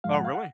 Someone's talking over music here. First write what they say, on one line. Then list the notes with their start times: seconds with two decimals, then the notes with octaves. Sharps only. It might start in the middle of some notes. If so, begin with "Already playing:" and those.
Oh, really?
0.04 G#2 F3 G#3 F5
0.14 F#5
0.25 F5
0.35 F#5